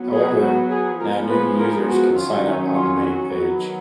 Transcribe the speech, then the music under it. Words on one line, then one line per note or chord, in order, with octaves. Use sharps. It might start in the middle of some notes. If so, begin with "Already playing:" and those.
However, now new users can sign up on the main page.
Already playing: F#3 B3
G#4
F#4
G#4
F3 G#3 B3 A#4
B4
A#4
F#4
D#3 F#3 C#4 F4
D#4
F4
F#4
D#3 F#3 B3 F#4